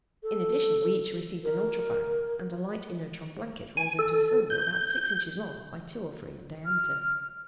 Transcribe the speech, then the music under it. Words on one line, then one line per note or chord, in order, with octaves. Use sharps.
In addition, we each received an ultrophone, and a light inertron blanket rolled into a cylinder about six inches long by two or three in diameter.
A4
A#4
G#5
A4
G6
F6